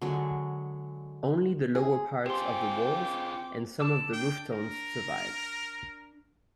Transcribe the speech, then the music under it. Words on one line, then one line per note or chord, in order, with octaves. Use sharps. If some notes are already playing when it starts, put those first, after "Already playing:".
Only the lower parts of the walls and some of the roofstones survive.
D3 F#3 G#3
G#4
C4 F4 G4 G#4 G5 C6 D6
A5 D6 E6
D4 G5
A#4